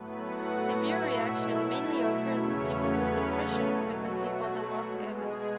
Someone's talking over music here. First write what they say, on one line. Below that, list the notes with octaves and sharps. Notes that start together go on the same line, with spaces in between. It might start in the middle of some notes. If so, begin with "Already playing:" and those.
Severe reactions mainly occur in people with depression present before the loss event.
Already playing: A2 F#3 A3 B3 B4
F#4 F#5
E4 E5
B2 F#3 A3
E4 E5
E4 E5
E2 C#3 F#3 A3 C#4 C#5
B3 B4
A3 A4
B2 F#3 A3
F#4
F#4
B2 G#3
G#4